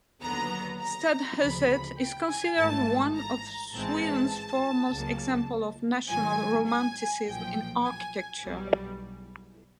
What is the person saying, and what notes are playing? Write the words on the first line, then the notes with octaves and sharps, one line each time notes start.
Stadshuset is considered one of Sweden's foremost examples of national romanticism in architecture.
D#2 D3 F#3 B3 A#5
A#5
D2 C#3 F3 B5
G5
G#5
G#1 G#2 E3 A3 A5
A#5
A1 G#2 E3 G#3 C4 A5
C#2 C#3 F#3 A#3
G#2 D#3 F#3 G#5
G#5
B1 A#2 F3 G5
G#5
B1 B2 G3